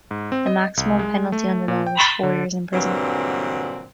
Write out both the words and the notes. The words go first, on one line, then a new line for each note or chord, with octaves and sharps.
The maximum penalty under law was four years in prison.
G#2
C4
D#5
C2
G#3
A3
A#2
G5
A6
D3
G2 A#2 D3 E3 F#3 C4